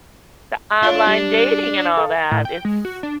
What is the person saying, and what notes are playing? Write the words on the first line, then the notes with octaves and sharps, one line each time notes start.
The online dating and all that, it's
D4 F4 C#5
G3
A4 F5
A2
G5
G#3
F#4
D4